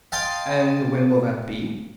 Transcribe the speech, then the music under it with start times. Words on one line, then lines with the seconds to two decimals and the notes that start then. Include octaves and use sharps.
"And when will that be?"
0.12 D#5 F5 G5 A5 C6 D#6